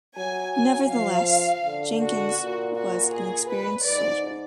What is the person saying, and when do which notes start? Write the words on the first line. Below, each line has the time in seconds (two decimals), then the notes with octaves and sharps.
Nevertheless, Jenkins was an experienced soldier.
0.18 F#3 G#5
0.56 G#5
0.92 F3 F5
1.66 D3
2.02 F#4
2.38 A#2
2.76 F#4
3.13 G#4
3.49 B4
3.86 G#2 D5